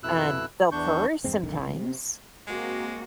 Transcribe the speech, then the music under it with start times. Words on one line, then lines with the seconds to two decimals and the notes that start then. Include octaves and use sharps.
Um, they'll purr sometimes
0.03 F2 B2 E4 E6 F#6
0.72 E2 D4 C#6 G6
1.24 E2 G2 G#3 C4
1.43 F1 B1 D3 D#3
1.60 C2
1.75 C3
2.47 G#3 A#3 C4 F#4